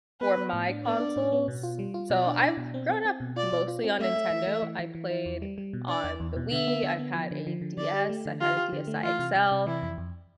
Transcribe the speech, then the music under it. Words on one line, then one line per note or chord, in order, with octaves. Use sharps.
for my consoles so I've grown up mostly on Nintendo. I played on the Wii, I've had a DS, I've had a DSi XL.
B3 B4
B3
A2
D4
B3 D5
D4
A2
B3
B2
F4
G3
F4
B2 D5
D4
D4
B2
C4
C4
C4
B2
F4 D5
B2
F4
C4
A3 E5
A3
E3
A3
E3
E3
E3
E4
E2
G3
G3
B2
D4 D5
E2
E2
B2
D3 E5
B3
D3
B3
F3
D3
F3
D3
D3 D5
G4
A3
D3
F4 G4
G4
D3
A3
E3 F4
C3
C3
C3
E3 E4
F2
F2